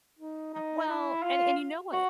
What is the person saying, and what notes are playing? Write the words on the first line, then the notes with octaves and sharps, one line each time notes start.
Well, and and you know what,
D#4
D#4
E4
F4
F#4